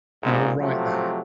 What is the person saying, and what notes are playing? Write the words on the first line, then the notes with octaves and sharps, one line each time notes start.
You all right there?
A#1 G#2
C3 F3 F#3 A3